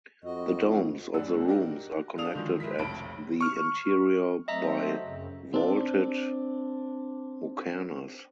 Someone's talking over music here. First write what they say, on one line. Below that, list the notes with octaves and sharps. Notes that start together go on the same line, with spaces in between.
The domes of the rooms are connected at the interior by vaulted muqarnas.
F2 F#4 D#5
F#2 A2 D4 F#5 E6
D4 D#4 F#4 G4 A#4
D4 A4 F5 D#6 F7
G#2 D#3 F3 F#3
G#2 E4 A#4 B6
F1 B1 A5 B5 D7
C#6 F6
F#3 A3 C4 D#5 E5 A#5
F#2 C#3
C4 D4